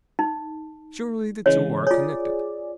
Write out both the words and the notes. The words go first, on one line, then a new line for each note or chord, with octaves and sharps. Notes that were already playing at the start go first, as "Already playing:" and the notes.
Surely the two are connected.
D#4
C#3 E3 G#3 C#5
F4 G#4 C#5 D5